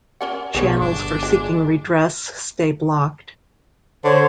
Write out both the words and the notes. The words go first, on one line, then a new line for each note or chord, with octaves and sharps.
Channels for seeking redress stay blocked.
C#4 A#4 F#5
B1 B2 G#4 B4 C#5
G1 D4
G#3 F4
D3 C5 C#5 C#6